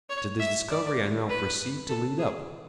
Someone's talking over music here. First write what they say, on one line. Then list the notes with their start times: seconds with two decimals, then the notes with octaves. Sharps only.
To this discovery I now proceed to lead up.
0.09 C#5
0.39 E5
0.70 D5
1.29 B4
1.89 A4
2.19 G#4